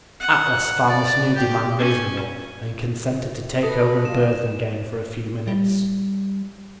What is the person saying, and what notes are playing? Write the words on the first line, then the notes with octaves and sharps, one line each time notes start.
Atlas found this new demand reasonable, and consented to take over the burden again for a few minutes.
F#5
D5
G4
C#4
A4 B4 D#6 A#6
F#3 G3 F4 E7
G3